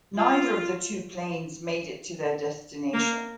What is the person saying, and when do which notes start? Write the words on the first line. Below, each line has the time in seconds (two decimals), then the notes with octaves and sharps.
Neither of the two planes made it to their destination.
0.17 F4
2.94 A#3